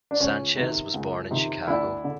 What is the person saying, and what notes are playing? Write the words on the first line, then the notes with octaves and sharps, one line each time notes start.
Sanchez was born in Chicago.
D4
C#2 C#4
C3 D#3
C#2
C3 D#3
D2 D4 E4
D3